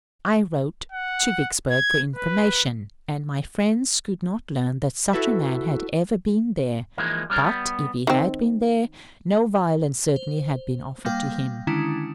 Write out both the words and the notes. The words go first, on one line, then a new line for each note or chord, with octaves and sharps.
I wrote to Vicksburg for information, and my friends could not learn that such a man had ever been there; but, if he had been there, no violence certainly had been offered to him.
F#5
G#6
B4
E4 F#4 A4 B4 E5
E3 F3 G#3 A#3 D#4
G3 C#4 D4 A#4
G3 B3
D#3 C4
C5
G3 A#3 F5 G5
D3 D#3 G#3 C#4 D4 E4